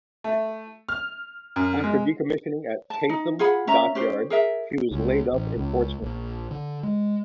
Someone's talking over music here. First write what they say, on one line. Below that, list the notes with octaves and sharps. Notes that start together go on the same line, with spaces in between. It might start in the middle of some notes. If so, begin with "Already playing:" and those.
After decommissioning at Chatham Dockyard, she was laid up in Portsmouth.
A3
F6
F#2
G#3
A5
D#4
F4 G#4 F#5 B5
C#4 E5 A#5
C#4 G4 C5
G#4 A#4 E5
C#2
A1
C#2
A#1
D3
G#3